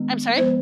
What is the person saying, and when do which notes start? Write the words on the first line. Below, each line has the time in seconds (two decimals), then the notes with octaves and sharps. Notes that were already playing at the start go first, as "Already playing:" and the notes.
I'm sorry?
Already playing: D#3 G#3 B3 D4
0.38 F3 G#3 B3 C5